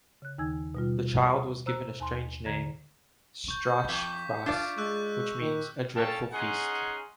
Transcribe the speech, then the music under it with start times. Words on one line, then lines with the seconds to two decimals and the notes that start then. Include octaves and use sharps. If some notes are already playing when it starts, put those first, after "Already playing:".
The child was given a strange name: Strachkvas, which means "a dreadful feast".
0.22 C#3 F#6
0.38 D#2 D#3 D#4 G#5 E6 G#6
0.75 B2 G3 F4
1.66 C5 A#5 E6 F#6
2.00 D#2 G#5 A5 C6
2.46 D3 A#5 G#6
3.48 C#6 G6
3.89 F2 D6 B6
4.46 D4 F4 D5
4.78 G#3 C#6 E6 F#6
5.40 D#3
5.95 C#4 A4 F5 G5 A5
6.33 C#4 D#4 G#4 F#5 G#5 C6